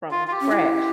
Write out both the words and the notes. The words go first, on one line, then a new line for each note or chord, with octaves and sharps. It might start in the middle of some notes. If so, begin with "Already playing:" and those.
from scratch.
F4
F4
G4
C#4
E4